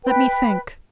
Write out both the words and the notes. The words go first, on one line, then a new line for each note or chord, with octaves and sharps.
"Let me think."
B4 G5